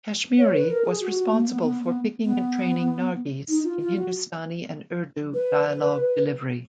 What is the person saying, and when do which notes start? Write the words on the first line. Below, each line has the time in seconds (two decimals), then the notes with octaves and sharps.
Kashmiri was responsible for picking and training Nargis in Hindustani and Urdu dialogue delivery.
0.38 C#5
0.54 B4
0.69 A#4
0.84 G#4
1.01 F#4
1.16 F#4
1.31 A#3
1.47 B3
1.62 B3
1.82 B3
2.24 B3
3.48 D#4
3.64 F4
3.80 F4
3.95 F#4
5.34 B4